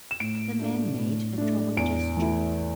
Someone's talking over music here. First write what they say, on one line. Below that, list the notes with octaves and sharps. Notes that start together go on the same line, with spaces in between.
The man made a troubled gesture.
E7
A2 D7
A3 D4
A2
A3 D4
E2 D7
E3 A3 E4